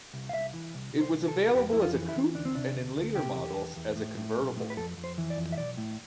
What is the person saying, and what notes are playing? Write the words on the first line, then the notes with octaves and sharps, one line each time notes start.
It was available as a coupe and in later models as a convertible.
C2
F5
C2 E5
E3
C2
C2
C5
C2
A4
C2
F2 G4
F2 E4
F4
E3
E4
E3
D2 D4
C4
C3 D4
D2
D2
C3 G4
E2
E2
E2
A2
A2
B1
A2
B4
F2 A4
F2
C5
E3
D5
F2
E5
B1 D5
A2